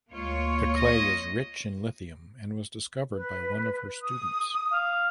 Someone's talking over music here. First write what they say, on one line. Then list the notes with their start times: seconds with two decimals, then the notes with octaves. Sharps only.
The clay is rich in lithium and was discovered by one of her students.
0.13 D2 G#3 A#3 F4 C#5
0.76 D#5
3.15 B4
4.03 D#6
4.72 F5